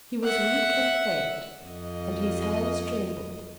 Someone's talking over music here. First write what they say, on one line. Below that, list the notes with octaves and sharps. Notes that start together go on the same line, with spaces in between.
He was weak and faint, and his hands trembled.
E5 F#5
F2 D#5